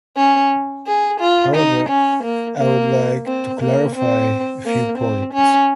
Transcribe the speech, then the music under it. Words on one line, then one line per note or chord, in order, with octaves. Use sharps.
However, I would like to clarify a few points.
C#4
G#4
F4
D#4
C#4
A#3
A#3
C4
A#3
C4
A#3
C4
C#4